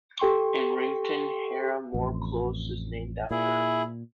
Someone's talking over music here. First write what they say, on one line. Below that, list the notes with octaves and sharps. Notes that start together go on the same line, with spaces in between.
In Wrington 'Hannah More Close' is named after her.
G4 A4 G5 C6 C#6
A1 F2
A#2 E4 G#4